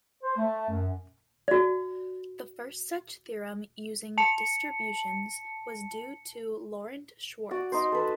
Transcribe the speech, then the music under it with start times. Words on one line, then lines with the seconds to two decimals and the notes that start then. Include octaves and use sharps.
The first such theorem using distributions was due to Laurent Schwartz.
0.22 C5
0.36 A3
0.69 F#2
1.48 F#4 D5
4.18 A5 C#7
7.51 F#4 D5
7.72 D#4 C5
7.92 A4 B4